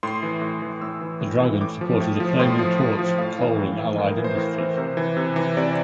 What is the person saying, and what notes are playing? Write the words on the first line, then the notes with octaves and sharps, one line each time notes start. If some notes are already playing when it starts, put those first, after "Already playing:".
The dragon supported a flaming torch for coal and allied industries.
A2 C6
E3
A2
E3
A2 E6
E3
A2
E3
A2 D6
F3
A2
F3
A2 C6
F3
A2
F3
A2 F5
E3
A2
E3
A2 A#4
A#4
E3
C5
A2 A#4
E3
C3 C5
E3
C3
E3
C3 D5